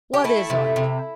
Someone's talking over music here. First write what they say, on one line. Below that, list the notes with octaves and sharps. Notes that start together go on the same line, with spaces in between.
What is Art?'
G4
A3 E4
C3
C3